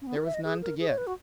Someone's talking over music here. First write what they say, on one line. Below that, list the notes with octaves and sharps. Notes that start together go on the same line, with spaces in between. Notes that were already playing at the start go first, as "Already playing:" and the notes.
There was none to give.
C#4
B3
A#4
E5
D#5
G#4
A#4
G#4
C#5
B4
F#4